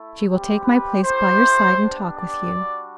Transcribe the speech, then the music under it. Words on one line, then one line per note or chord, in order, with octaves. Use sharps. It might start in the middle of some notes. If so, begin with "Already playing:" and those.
"She will take my place by your side and talk with you."
Already playing: A3 E4
G3 C4 G4
B4
A3 E4 G4 C5
B3 D4 G4
D5
G3 D4 F#4